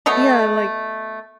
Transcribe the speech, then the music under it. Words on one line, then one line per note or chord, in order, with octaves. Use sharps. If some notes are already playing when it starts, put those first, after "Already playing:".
Yeah, like
B2 A3 C#5 D#5